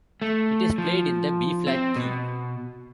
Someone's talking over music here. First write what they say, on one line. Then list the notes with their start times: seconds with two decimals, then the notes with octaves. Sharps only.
It is played in the B flat key.
0.22 A3
0.78 F3
1.67 C4
1.96 B2